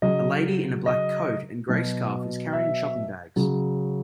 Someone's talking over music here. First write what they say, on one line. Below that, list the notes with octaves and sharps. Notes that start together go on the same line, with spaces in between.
A lady in a black coat and a gray scarf is carrying shopping bags.
C#3 F#3 D#5
D#5
B2 F#3
E5
C#3 F#3